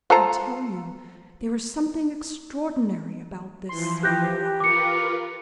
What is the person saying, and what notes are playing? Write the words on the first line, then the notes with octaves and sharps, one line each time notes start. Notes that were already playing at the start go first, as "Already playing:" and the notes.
I tell you there is something extraordinary about this Spy Rock.
F4 A4 C5 A#5
E3 F3 C6
G4 F#6 G6 A#6
F4 A#4 B4 D6 C#7